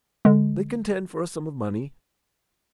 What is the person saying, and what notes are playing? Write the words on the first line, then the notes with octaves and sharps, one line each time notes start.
They contend for a sum of money.
D3 G#3